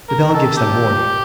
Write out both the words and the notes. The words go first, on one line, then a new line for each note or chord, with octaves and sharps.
The bell gives them warning.
A#4
A4
G4